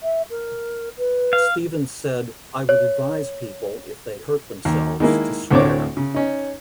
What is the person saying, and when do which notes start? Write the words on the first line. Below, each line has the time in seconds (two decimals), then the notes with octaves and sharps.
Stephens said "I would advise people, if they hurt themselves, to swear".
0.02 E5
0.30 A#4
0.97 B4
1.33 F5
2.69 C#5
4.65 D#2
5.00 D#3 G#3 A#3 E4
5.51 D2 A2 C4 D4 C#5 D6
5.97 C#3
6.14 C#4 D#4